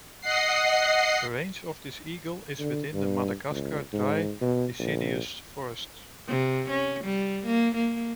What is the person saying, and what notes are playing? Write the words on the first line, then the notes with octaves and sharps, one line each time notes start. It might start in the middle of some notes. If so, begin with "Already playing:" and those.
The range of this eagle is within the Madagascar dry deciduous forests.
D#5 F#5 C7
D3
G2
C#2
G#2
B2
A#1
C3
C#4
G3
A#3
A#3